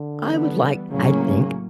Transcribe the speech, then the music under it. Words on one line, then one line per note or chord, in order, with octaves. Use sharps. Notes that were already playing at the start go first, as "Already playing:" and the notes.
I would like I think
Already playing: D3
E3 G3 B3
A2 C#3 F#3 A#3 C#4
C#3